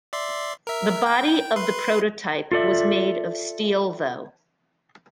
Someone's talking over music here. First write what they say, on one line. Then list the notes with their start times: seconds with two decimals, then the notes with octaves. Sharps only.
The body of the prototype was made of steel though.
0.13 D5 E5 C6
0.67 A#4 E5
1.06 G5
1.56 B4 C6
2.52 F4 A4 D5 E5